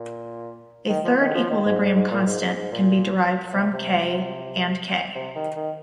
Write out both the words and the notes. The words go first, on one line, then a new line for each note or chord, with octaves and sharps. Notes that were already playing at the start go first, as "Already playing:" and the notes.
A third equilibrium constant can be derived from "K" and "K".
Already playing: A#2
D#3
F3
D#3
F3
D#3
G#2
G#2
G#2
A#2
G#2
G#2
G#2
A#2
C3
C3
C3
D#3
D#3